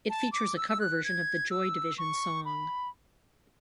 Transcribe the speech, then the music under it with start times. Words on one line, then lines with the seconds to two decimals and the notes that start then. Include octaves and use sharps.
It features a cover version of the Joy Division song.
0.09 A5
0.32 D6
0.56 E6
0.69 E6
0.80 F#6
1.04 G#6
1.50 E6
1.98 C#6
2.45 B5